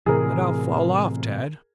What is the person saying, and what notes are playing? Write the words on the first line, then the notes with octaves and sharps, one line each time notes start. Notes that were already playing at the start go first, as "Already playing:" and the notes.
"But I'll fall off, Tad."
A2 C3 E3 G#4 A#4